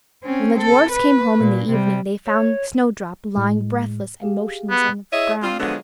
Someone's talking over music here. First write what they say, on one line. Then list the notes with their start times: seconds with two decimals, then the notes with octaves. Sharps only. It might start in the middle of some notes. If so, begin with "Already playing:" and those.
When the dwarfs came home in the evening, they found Snowdrop lying breathless and motionless on the ground.
0.24 C4 C#4
0.61 A4
0.92 B4
1.40 A#2
1.71 C3 G3
2.27 C#5
3.36 A2 G#3
4.22 G4 G#4 F5
4.70 B3
5.12 E4 G#4 C#5 D#5 E5
5.43 C4 D4 F4
5.59 D3 F3 F#3 G#3 B3